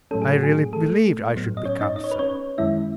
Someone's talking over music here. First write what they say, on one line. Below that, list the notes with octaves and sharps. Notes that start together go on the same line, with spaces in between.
I really believed I should become so.
A2 F#3 A3 C#4 A4
G#4
F#4
G#4
A3 A4
A2 F#3 B3
D#5
C#4 C#5
D#4 D#5
D#5
C#5
B4
C#4 C#5
F#2 D#3 G#3 C#4 E4 E5